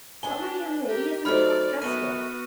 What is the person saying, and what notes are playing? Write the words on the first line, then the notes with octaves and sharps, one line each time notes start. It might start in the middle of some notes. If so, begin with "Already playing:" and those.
But my young lady isn't half dressed yet.
C#4 D4 G#4 B4 G#5 G7
G4 A#4
F#3 A3 C#4 D#4 C5 D5 B5 F6
F#2 B3 C#4 F#4 D#7